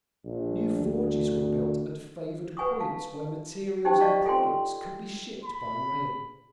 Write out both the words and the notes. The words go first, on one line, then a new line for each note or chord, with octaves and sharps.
New forges were built at favored points where materials and products could be shipped by rail.
A#1
D2
B4 F#5 G#5 C#6 D#6
F5 A5
C#4 D#4 G4 C5 G5 A5
D5 D#5 F5 A#5 C#6
F4 A4 G5 G#5 C6
B5